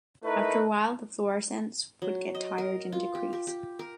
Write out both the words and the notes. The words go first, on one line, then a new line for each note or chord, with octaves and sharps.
After a while the fluorescence would get 'tired' and decrease.
A3 D#4 E4 A#4 B4
F#3
D#5
A#4
F4
G4
G4
G4
A#4